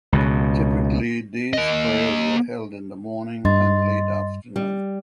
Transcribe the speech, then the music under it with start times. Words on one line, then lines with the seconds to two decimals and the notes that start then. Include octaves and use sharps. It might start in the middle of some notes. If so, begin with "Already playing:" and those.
Typically these prayers are held in the morning and late afternoon.
0.13 C#2 B2
1.53 A#3 D#5
3.45 G2 D#5 C6 A6
4.56 G3